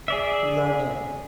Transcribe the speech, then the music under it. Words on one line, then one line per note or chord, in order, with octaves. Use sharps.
Love it.
G#4 D5 E5